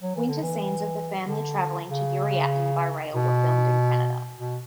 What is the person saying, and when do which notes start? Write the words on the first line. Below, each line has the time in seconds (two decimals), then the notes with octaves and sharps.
Winter scenes of the family traveling to Yuriatin by rail were filmed in Canada.
0.02 F#3
0.15 E3
0.29 D3
0.42 E3
1.26 D3
1.88 C#3
3.13 B2
4.38 B2